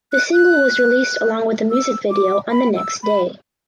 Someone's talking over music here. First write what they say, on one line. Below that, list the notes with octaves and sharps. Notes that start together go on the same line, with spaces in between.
The single was released along with the music video on the next day.
F#6
F#6
E6
D6
B5
E6
B5